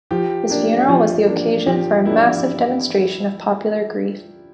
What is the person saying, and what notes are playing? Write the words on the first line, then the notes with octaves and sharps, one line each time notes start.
His funeral was the occasion for a massive demonstration of popular grief.
F3 G4
A#3 D4
F3
A#3 D4
F3 G4
A#3 D4 E4